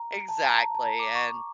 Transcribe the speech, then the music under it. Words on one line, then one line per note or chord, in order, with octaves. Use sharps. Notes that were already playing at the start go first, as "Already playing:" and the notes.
Exactly, and
Already playing: A#5
A5
A#5
A5
A#5
D6
C#6